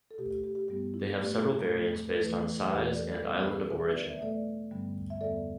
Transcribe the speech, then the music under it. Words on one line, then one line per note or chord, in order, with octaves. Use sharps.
They have several variants based on size and island of origin.
A4
B2 A3 G4
G4
G4
G4
G2 G3 B3 G4
E4
A2 A3 G4
E4 A4
E2 B2 A3
B4
E2 E3 A3 E4 A4
E2 E3 A3 G4 B4
A4 D5
A2 G3 B3 A4 D5
B2 B3 B4 E5
D5
E5
B2 A3 A4 D5
G2 D3 G3 B3
E5
E2 D3 G3 B3 A4 D5